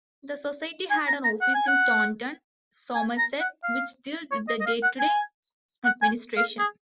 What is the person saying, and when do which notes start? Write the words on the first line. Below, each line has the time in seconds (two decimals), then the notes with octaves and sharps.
The Society had an office in Taunton, Somerset, which dealt with day-to-day administration.
0.91 G#5
1.07 A#5
1.24 A#5
1.42 F#5
1.55 G#5
1.68 F#5
2.95 G#5
3.18 A#5
3.40 F#5
3.64 F5
4.32 C#5
4.48 D#5
4.61 D#5
4.66 F5
4.83 F#5
5.00 G#5
5.85 F#5
6.02 G#5
6.37 F5
6.59 G#4